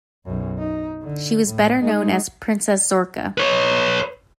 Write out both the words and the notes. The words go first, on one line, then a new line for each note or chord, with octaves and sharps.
She was better known as Princess Zorka.
B1 F#2
D#4
D3
A2
G#3 D#4
B4 C#5